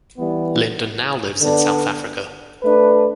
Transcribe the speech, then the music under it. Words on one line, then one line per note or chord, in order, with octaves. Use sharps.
Lyndon now lives in South Africa.
E3 G3 B3
D3 B3 D4
A3 D4 B4